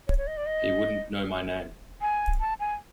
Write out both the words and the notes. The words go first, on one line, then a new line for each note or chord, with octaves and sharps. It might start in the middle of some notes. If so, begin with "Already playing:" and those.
He wouldn't know my name.
C#5
C#5
D#5
D5
D#5
G#5
A5
G#5